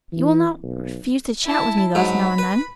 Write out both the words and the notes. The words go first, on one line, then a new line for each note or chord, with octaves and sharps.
"You will not refuse to chat with me thus now and then?"
E3
B1
E4 A5
G#2 F#3 B5
B4